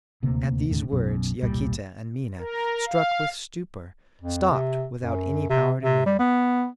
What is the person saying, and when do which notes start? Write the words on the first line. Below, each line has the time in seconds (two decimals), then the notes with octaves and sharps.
At these words Yaquita and Minha, struck with stupor, stopped without any power to move.
0.23 D#1 D2 C3 A#3
0.69 E1 D#2 A2 D3
0.92 B1 F#2 B2
1.43 E1 C2 A#2 G3
2.39 A#4
2.87 F5
4.21 F2
4.51 C3
5.00 F#2
5.50 C3
5.83 C3
6.06 G3
6.19 B3